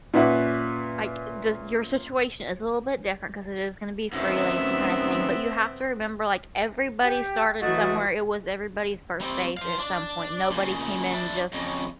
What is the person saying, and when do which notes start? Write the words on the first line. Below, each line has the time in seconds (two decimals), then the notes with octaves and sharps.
Like, the your situation is a little bit different 'cause it is gonna be freelancing kinda thing, but you have to remember, like, everybody started somewhere, it was everybody's first days at some point, nobody came in just
0.14 A#2 C#4 B4 E5 F#5
4.13 F#2 D#3 B3 C4 E5
7.03 G4 G5
7.61 E3 F#3 A3 E4 F#4 D#5 A6
9.21 G3 C4
9.57 C5 F5
9.79 D4
10.51 A#2 C#3
11.13 D4 E4
11.52 F2 C#3